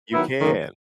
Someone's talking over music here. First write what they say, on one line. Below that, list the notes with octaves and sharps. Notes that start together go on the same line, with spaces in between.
You can.
D#3 F#3 B3 E4
F#2 D#3 A#3